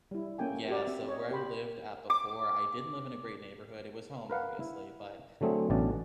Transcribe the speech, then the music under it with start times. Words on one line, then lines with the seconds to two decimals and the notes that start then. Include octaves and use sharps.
Yeah, so where I lived at before, I didn't live in a great neighborhood. It was home obviously, but
0.11 G3 E4
0.38 A#3 C#4 A4 G5 G#5
0.68 F#4 G4 D5
0.87 C4 E5
1.09 C#5 D#5
1.31 G4 C5 G5 B5
2.10 D6
4.30 A#4 B4 F5 F#5
4.60 E4
5.41 D3 F#3 A3 C4 G#4
5.70 A1 B2 C#4 D4 A5